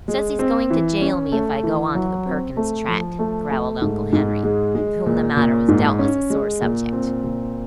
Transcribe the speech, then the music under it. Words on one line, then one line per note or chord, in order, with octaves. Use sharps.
"Says he's going to jail me if I go on to the Perkins Tract," growled Uncle Henry, with whom the matter was doubtless a sore subject.
G#3
C4
E3
C#4
A3
E3
F#3
C4
A3
F3
A3
A3
G#2
G#2
G#3
G#3
A#2
A#2
G#2
C#4
G#3
A#2
C4
A#2